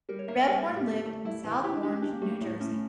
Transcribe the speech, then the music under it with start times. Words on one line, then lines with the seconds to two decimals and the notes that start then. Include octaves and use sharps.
Rebhorn lived in South Orange, New Jersey.
0.09 G3 A#4
0.19 C#5
0.28 A#3 E5
0.38 E5
0.48 G3 F5
0.58 E5
0.67 A2
0.76 G4
0.86 A3
1.06 A3
1.25 E4
1.44 E3
1.64 E4 G4
1.73 D4
1.83 D4 G4
1.93 C#4
2.02 D4 G4
2.12 A#3
2.22 G3 A3
2.31 A#3
2.41 A2 A3
2.61 A2 C#4
2.72 A3